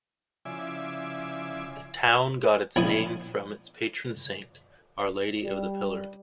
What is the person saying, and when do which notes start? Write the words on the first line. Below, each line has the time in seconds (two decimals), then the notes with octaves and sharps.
The town got its name from its patron saint, Our Lady of the Pillar.
0.45 C#3 F3 E4 D5 E5 G#5
2.76 A#1 E4 D#6
5.44 G3